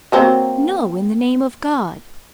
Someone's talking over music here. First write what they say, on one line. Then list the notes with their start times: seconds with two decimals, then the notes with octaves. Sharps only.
No, in the name of God!
0.12 F#3 A#3 C4